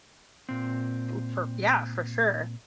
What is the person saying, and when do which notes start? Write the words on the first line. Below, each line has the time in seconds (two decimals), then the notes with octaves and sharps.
Ooh, for yeah, for sure.
0.49 A#2 C4